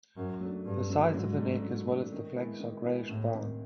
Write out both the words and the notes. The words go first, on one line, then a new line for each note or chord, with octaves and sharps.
The sides of the neck as well as the flanks are greyish brown.
F#2 C#3
F#3 A3 D4
G2 C#3
F#3 A3 D4
G#2 F#3
A3 D4
F#3
A3 D4
D#3
G#3 B3 E4
D#3
G#3 B3 E4
D2 A2
C3 D#3